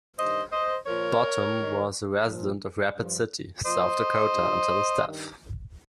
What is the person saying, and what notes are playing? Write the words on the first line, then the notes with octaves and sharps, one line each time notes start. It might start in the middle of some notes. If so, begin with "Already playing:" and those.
Bottum was a resident of Rapid City, South Dakota until his death.
G2 D#3 C5 D#5
C5 D#5
A#2 F3 A#4 C#5
G2 D#3
A#2 F3
G2 F3
A#2 F3 C5 D#5
G2 F3
G2 D#3